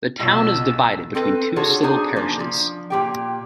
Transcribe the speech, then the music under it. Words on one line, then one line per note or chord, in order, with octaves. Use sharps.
The town is divided between two civil parishes.
B1 B2 F4 E6
C4 A4 B4
D4 F4 F#4 G#4 A4 C#5
D4 D#4 G#4 C5 G#5
F3 A#3 D4
F3
A#2 G4 G5